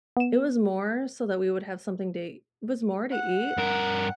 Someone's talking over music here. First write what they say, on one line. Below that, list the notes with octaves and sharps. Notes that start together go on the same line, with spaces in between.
It was more so that we would have something day it was more to eat,
B3 E7
F#5
G2 A#4